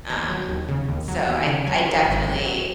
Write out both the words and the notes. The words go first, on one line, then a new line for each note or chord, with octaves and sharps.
Um, so I I definitely
D#2 A#5
F#3
D#2
C#3
D#2
F#3
D#2
C#3
F#3 G#5
D#3
G#1
F#2
F#3